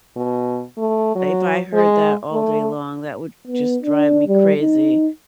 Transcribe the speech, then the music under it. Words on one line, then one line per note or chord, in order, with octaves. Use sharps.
If I heard that all day long, that would just drive me crazy,
B2
A3
F#3
G#3
A3
B3
D4
G3
D#4